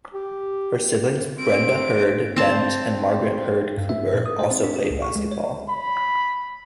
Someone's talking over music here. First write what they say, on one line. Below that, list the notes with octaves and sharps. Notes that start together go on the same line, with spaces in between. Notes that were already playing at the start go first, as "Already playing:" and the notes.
Her siblings Brenda Heard Dent and Margaret Heard Cooper also played basketball.
G4
C4 D7
C4 A5
G2
E5
A#2
D#6
C5
C4
D4
G4
C#2
C#6
G#3
C#5
B5